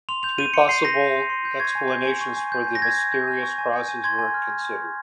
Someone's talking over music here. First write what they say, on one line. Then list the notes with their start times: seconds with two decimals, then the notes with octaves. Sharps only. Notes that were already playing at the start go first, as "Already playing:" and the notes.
Three possible explanations for the mysterious crosses were considered.
0.09 C6 F7
0.23 G6 F7
0.38 G6 D#7
0.54 C6 C#7
0.69 C6 C7
0.84 G6 A#6
1.00 G6
1.15 C6
1.30 C6
1.45 G6
1.60 C#6 G#6
1.75 G#5
1.91 G6
2.06 G#5
2.21 C#6
2.37 G#5
2.52 G6
2.67 G#5
2.75 A#6
2.82 C#6 G#6
2.98 G#5
3.12 G6
3.28 G#5
3.43 C#6
3.58 G#5
3.73 G6
3.88 G#5
4.04 C6 G#6
4.19 G#5
4.34 F6